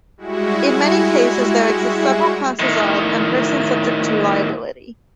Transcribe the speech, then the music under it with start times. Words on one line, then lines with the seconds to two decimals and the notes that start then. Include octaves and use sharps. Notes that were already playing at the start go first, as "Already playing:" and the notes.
In many cases there exist several classes of, and persons subject to, liability.
0.17 G3 G#3 E4 F#4
2.59 A2 D#3